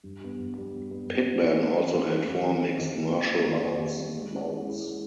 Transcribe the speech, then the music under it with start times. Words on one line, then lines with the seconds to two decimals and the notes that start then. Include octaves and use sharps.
Pittman also had four mixed martial arts bouts.
0.04 G2
0.21 G3 B3
0.39 G2
0.55 G3 B3
0.72 G2
0.90 G3 B3
1.07 G2
1.24 G3 B3
1.41 E3
1.58 G3 C#4
1.75 E3
1.92 G3 C#4
2.10 E3
2.26 G3 C#4
2.43 E3
2.60 G3 C#4
2.78 D#3
2.95 G3 A#3
3.11 D#3
3.28 G3 A#3
3.46 D#3
3.63 G3 A#3
3.79 D#3
3.97 G3 A#3
4.13 G#3
4.31 C#4 E4
4.48 G#3
4.65 C#4 E4
4.82 G#3